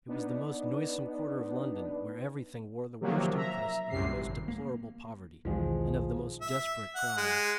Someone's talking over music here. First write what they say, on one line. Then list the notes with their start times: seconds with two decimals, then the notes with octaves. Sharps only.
It was the most noisome quarter of London, where every thing wore the worst impress of the most deplorable poverty, and of the most desperate crime.
0.08 B3 D4 D#4
3.00 C3 D#3 F3 F#3 A#3
3.35 E5 A#5
3.90 C2 F#2 C3 C7
4.16 G#1
4.48 A#3
5.45 B1 E2 D#3 F3 G#3
6.42 E5
6.95 F#5
7.17 G#3